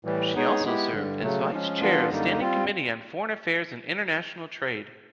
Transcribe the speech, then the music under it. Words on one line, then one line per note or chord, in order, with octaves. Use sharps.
She also served as vice-chair of Standing Committee on Foreign Affairs and International Trade.
A2 E3 G3
G#3 B3 D#4 G#4 C#5
G#3 B3 E4 G4
G2 D3 G3
C#3 F#3 A3
F3 G#3 C#4
E3 G3 B3 D4 F4
F#2 D3 G3 A#3 D#4
G3 C4 F4